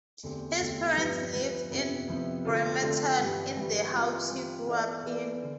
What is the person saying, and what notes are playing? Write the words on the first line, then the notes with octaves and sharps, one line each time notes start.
His parents live in Bremerton in the house he grew up in.
E2 D3 A3 C4 G4
E2 D3 A3 C4 G4
G2 F3 B3 E4 B4
G2 F3 B3 E4 B4
F2 C3 F3 B3 E4
F2 C3 F3 B3 E4
D3 A3 C4 F4 A4
D3 A3 C4 F4 A4
G2 E3 G3
G2 E3 G3
E3 G3 C4 F4
E3 G3 C4 F4
E3 B3 E4 A4 D5
E3 B3 E4 A4 D5
D3